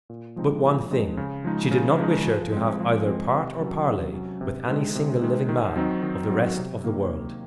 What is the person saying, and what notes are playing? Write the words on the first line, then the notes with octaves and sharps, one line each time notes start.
But one thing, she did not wish her to have either part or parley with any single living man of the rest of the world.
A#2
F3 G#3 C4 D#4
A#2
F3 G#3 C4 D#4
C#3
F3 G#3 D#4
C#3
F3 G#3 D#4
F3
G#3 C4
F3
G#3 C4
C3
F#3 C#4
C3
F#3 C#4
C3
D#3 G#3
C3
D#3 G#3
D#3
F#3 C4 D#4
D#3
F#3 C4 D#4
C3
D#3 A#3
C3